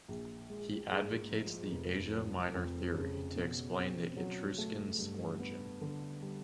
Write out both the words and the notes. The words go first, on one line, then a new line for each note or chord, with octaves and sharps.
He advocates the Asia Minor theory to explain the Etruscans' origin.
A#1
G#3
G#2
F3
F1
F3
F2
C#3
B2
C4
F#3
A3
G2
B3
D3
G3